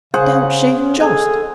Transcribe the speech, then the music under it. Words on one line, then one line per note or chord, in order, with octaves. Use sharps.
Don't she just!
C#3 G#4 C5 F5 F#5
C#4
G#4 A4 G#5